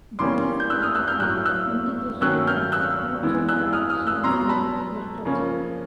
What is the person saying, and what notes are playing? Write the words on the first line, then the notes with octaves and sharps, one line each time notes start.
These are an indication of future directions in literature.
C#3 E3 G3 A#3 C#4 C6 D6
G6
E6 F#6
D#6 F6
E6 F#6
F6 G6
A2 F#3 A3 E6 F#6
E6 F#6
D#3 F#3 A3 C#4 E6 F#6
F6 G6
E6 F#6
E3 G#3 B3
E6 F#6
D#6 F6
D#6 F6
E6 F#6
B2 F#3 B3 A#5 C6
A5 B5
C#3 F3 A#3 C#4